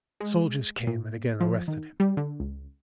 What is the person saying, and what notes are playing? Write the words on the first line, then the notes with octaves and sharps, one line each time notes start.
Soldiers came and again arrested him.
G#3
A#2
F3
D#3
G3
D3
C#2